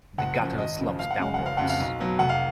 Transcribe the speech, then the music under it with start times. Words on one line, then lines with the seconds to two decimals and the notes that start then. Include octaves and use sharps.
The gutter sloped downwards.
0.18 F#1 F#5
0.39 F#2 F3
0.58 G#1 D#5
0.79 F#2 C#3 F3
0.98 C#2 F5
1.11 F#5
1.19 C#3 G#3 F5
1.34 F#1 F#5
1.46 F5
1.57 F2 C#3 F#5
1.69 F5
1.80 B1
2.00 B2 F#3
2.19 F1 F#5
2.29 F5